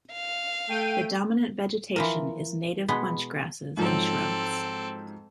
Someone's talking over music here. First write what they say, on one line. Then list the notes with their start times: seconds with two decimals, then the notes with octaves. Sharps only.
The dominant vegetation is native bunchgrasses and shrubs.
0.12 F5
0.69 A3 G5 D#7
1.96 E3 F3 A#4
2.88 B2 G#3 B3
3.77 G#2 F3 F#3 C4 A4